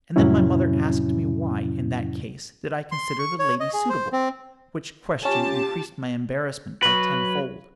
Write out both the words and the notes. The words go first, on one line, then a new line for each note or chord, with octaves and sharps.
And then my mother asked me why, in that case, did I consider the lady suitable,--which question increased my embarrassment by tenfold.
F2 A2 C3 F#3 C#4 E4
C6
C#6
C#5
D#5
G#4
C5
C4
C#4 F4 G4 A5
F#3 B4